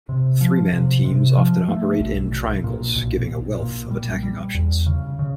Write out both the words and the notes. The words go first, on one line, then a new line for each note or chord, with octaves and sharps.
Three-man teams often operate in "triangles", giving a wealth of attacking options.
C3
F3
C3
C3
F3
A3
B1
B1
A#2
B1
B1
A#2
G3
G3
E2
C#3
C#3